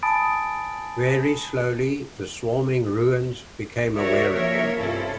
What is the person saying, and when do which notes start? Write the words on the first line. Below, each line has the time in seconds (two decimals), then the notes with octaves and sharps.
Very slowly the swarming ruins became aware of him.
0.03 G#5 A5 B5 D#6 A6 D7
3.95 F#4 A#4 C#5 D5 E5
4.34 F3 A#3 C#4 A#4 C#5 E5
4.78 G2 C3 C#4 E4 F4 A4